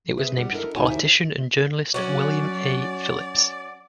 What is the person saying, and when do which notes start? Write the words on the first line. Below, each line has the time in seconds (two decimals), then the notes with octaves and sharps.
It was named for politician and journalist William A. Phillips.
0.18 G#4 B4 C5 E5
0.37 G3 A#3 G4 F#5
0.52 D4 E4 A4 A#4 D#5
0.75 D2 A2 D#4 F#4 C#5 G#5
0.90 E4 G4 A#4 C5 E5
1.94 F#3 C#4 F#4 D5